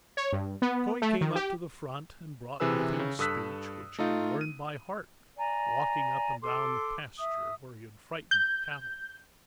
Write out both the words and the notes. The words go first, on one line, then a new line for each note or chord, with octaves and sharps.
So he came up to the front, and brought with him a speech which he had learned by heart walking up and down the pasture, where he had frightened the cattle.
C#5
G2
B3
A3
D#3
G4
C3 E3 G#4 B4 E6
C#3
G2 A4 D#6 E6 F#6 B6
A3 D#4 F4
D#7
D5 G#5 A#5
A4 C6 D6
E5 D#6
G6